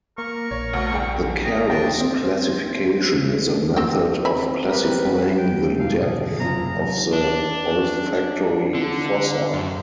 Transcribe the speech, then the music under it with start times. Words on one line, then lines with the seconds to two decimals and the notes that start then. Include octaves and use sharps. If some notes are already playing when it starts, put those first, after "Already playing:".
The Keros classification is a method of classifying the depth of the olfactory fossa.
0.18 A#3 A#4 C#6
0.51 A#1 C#5
0.73 D2
0.92 C2 G#4 G5
1.43 D#5 A#5
1.70 D4 G5
2.00 C4
3.76 C4 G5
4.25 C4 E5 G#5 A#5 B5
4.68 G#3 G4 A#4 B4
5.38 G5
5.80 E1 F5
6.02 G2 D3 G#4
6.40 F#1 C3 F#3 C4 F4 A#5
7.13 D4
8.75 D3
9.53 F#2